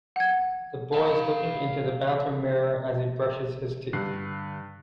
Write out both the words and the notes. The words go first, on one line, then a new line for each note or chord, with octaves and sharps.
The boy is looking into the bathroom mirror as he brushes his teeth.
F#5 G#6
F5 B5
G2 D3 F#6 C7